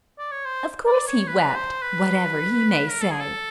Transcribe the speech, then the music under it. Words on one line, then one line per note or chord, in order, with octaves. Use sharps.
Of course he wept--whatever he may say.
D5
C#5
C5
D5
C#5
B4
C5
B4
A#4
A4
G#4
A4